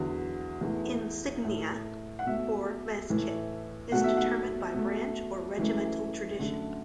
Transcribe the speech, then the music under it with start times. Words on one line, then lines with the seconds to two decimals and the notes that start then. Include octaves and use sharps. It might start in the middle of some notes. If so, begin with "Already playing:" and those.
Insignia for mess kit is determined by branch or regimental tradition.
Already playing: E2 D3 F#3
0.61 E2 E3 A3
1.44 A2 A3
2.19 F#5
2.26 B2 A3 E5
3.10 A2 E3 A3
3.92 B2 F#3 A3 F#5
4.04 E5
4.17 F#5
4.74 B2 A3
5.57 F#2 E3 A3
6.39 F#2 D3 A3